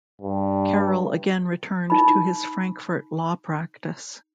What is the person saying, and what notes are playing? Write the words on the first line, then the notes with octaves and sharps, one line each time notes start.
Carroll again returned to his Frankfort law practice.
G2
D#4 B5